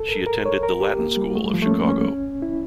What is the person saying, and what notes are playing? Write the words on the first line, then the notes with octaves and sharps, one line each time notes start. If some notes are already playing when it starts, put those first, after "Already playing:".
She attended the Latin School of Chicago.
Already playing: A4
A#4
A#4
C#5
A#4
G4
A#3
G3
A3
G3
F3
A3 C#4
A#3
C#4
E4